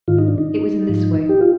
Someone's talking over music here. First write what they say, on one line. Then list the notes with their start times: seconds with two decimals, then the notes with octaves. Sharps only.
It was in this way.
0.08 G#2 D#3 F4
0.18 D#4
0.28 D4
0.38 D#4
0.89 G#2 F3
1.29 G4
1.41 F4